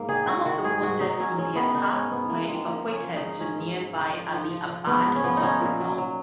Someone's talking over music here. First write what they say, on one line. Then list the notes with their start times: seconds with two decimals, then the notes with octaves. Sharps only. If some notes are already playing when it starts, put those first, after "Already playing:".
Some of the wounded from the attack were evacuated to nearby Ali Abad hospital.
Already playing: G#2 A#3
0.08 D#3 G#4
0.27 G#2 F#4
0.45 D#3 F#4
0.64 G#2 G#4
0.82 G#2 F#4
1.01 F#3 D#4
1.20 F#3 C#4
1.37 G#2 C#4
1.56 D#3 B3
1.74 D#3 D#4
1.93 G#2 C#4
2.12 G#2 B3
2.29 G#2 A#3
2.48 D#3 G#3
2.66 F3 A#3
2.86 F3
2.92 C#4
3.04 F3
3.16 D#4
3.22 G#2
3.40 G#2 C#4
3.58 G#2
3.77 G#2
3.95 F3
4.14 F3
4.33 F3
4.50 F3
4.69 F3
4.87 G#2 B3
5.05 G#2
5.16 C#4
5.24 F3 B3
5.37 D#4
5.43 F3 C#4
5.61 A#2
5.80 F#3
5.98 F#3